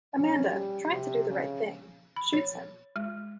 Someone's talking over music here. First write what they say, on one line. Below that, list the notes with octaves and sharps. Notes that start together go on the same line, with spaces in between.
Amanda, trying to do the right thing, shoots him.
C#4
G3
C3
C#3
B5
C#5
G#3